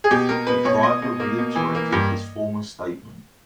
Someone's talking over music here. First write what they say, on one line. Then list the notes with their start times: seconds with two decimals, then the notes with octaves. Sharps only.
The driver reiterated his former statement.
0.04 G#4
0.11 B2 G4
0.29 B2 A#4
0.47 B2 B4
0.65 B2 C#5
0.83 B2 D#5
1.02 B2
1.20 A#3
1.38 B2
1.55 E3
1.75 A#3
1.92 G2